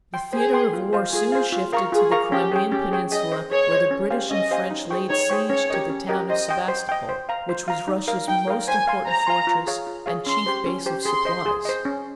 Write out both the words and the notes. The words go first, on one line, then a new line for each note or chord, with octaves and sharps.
The theater of war soon shifted to the Crimean Peninsula where the British and French laid siege to the town of Sebastopol which was Russia's most important fortress and chief base of supplies.
G5 C6
G#4 C5
G5 C6
F4
C5 F5
F4 G#4
C5 F5
F4
A#4 F5 A#5 C#6
F4 G#4
A#4 F5 A#5 C#6
C#4 G4
G#4 C#5 G5
C#4 G4
G#4 C#5 G5
G#4 D#5
C5 D#5
G#4 C#5
C5 D#5
C#4
G4 C5 F5 G#5
C#4 D#5
G4 C5 F5 G#5
D#4
G#4 C5 G5 C#6
D#4 C#5
G#4 C5 G5 C#6
C#4 C#5
G4 A#4 D#5
C#4
G4 A#4 D#5
C5 D#5
D#5 G5
C5
D#5 G5
C5
F5 A#5
C5
F5 A#5
D#4
A#4 F5
D#4 G5
A#4 F5
C5 G#5
F5 G#5 C6
C5 A#5
F5 G#5 C6
F4
G#4 C#5 F5
F4
G#4 C#5 F5
C#4 C6
G4 C5
C#4
G4 C5
G#4 C6
C5 D#5
G#4
C5 D#5
C#4